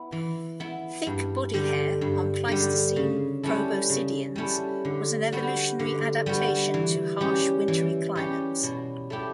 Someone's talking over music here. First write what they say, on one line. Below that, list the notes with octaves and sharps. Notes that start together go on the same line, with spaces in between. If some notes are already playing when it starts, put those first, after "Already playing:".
Thick body hair on Pleistocene proboscideans was an evolutionary adaptation to harsh wintery climates.
Already playing: B3 E4
E3
B3 E4
G2
D3 G3
G2
D3 G3
C#3
G3 C#4 E4 A4
C#3
G3 C#4 E4 A4
D3
G3 B3 F#4
D3
G3 B3 F#4
E3
G3 C#4 G4
E3
G3 C#4 G4
B2
A3 E4 G4